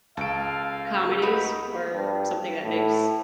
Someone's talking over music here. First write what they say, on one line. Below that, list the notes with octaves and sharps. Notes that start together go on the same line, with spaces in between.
comedies, or something that makes
C#2 A4 F5 D7
D#4 F#4 B4 B5
G2
A2